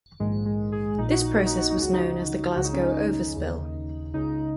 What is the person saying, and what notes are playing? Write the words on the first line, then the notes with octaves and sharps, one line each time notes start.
This process was known as the "Glasgow overspill".
A#1 G#2 D#3 G#3
G#3
G#4
A#1 A#2 D#4
F#4
D#4
F#4
D#4
F#4
D#4
C#2 C#3 F#4
D#4
C#2 C#3 F#4
D#4
C#4
D#4
D#2 C#3
C#2 C#3 D#4